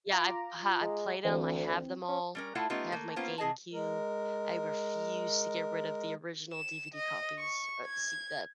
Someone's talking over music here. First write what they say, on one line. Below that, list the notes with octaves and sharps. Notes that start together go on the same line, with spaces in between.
Yeah, I've ha I've played 'em. I have them all. I have my GameCube. I refuse to get rid of the original DVD copies. Uh, see that
F4 A#5 D6
G#3
D2 E3 C4
C#4
G3 C#4 A#4
A3 E4 F4 A4 D5 F#5
A3 B3 C#4 D#4 F4 G4
A3 A#3
A#3 B3 C#4 F4 C5
C3 G#4 D#5 A5
G#3 A#4
E7
D#5
C#6
G#6